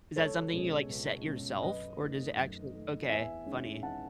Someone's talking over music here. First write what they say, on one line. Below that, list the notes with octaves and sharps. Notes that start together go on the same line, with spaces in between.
Is that something you, like, set yourself or does it actually Okay, funny.
C#2 A4 C#5
B2 G#3 C#4
C#2
B2 G#3 C#4
F#2 B4 D#5
D#3 A3
F#2
D#3 A3
E2 E5 G#5
D#3 G#3 C#4
E2 F#5 A5